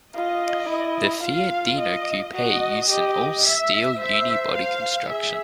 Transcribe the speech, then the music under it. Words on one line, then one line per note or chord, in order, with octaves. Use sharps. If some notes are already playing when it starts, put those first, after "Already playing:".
The Fiat Dino coupe used an all-steel unibody construction.
F4 D#5
E4
F4 F5
D#5
F#4 D#5
G4 D#5
E5
C5 E5
F5
G#4 E5